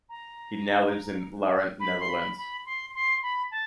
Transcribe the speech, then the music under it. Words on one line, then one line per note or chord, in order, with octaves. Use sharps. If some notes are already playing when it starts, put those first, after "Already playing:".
He now lives in Laren, Netherlands.
A#5
B5
C6
B5
B5
C6
C6
B5
A5